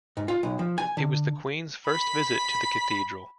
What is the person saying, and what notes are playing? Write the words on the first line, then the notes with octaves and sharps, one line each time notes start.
It was the Queen's first visit to the Cathedral.
G#2
F4
B1
F3
G#5
D3
B5 B6